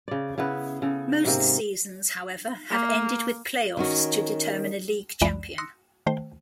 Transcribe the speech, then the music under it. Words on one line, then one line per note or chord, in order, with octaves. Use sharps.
Most seasons, however, have ended with playoffs to determine a league champion.
C#3 D5
C#3 B3 E4 B4
C#3 A4
G#2 C3 A#3
A#3
D#3 C#4 F#4
C2 F2 E3 G#3 D5 B5
C6 D#6 E6 F#6 A#6 C#7
D#3 A3 C5 G5